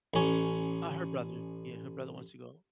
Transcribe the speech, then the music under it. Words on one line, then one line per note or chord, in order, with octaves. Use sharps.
Ah, her brother. Yeah, her brother wants to go.
A1 C#4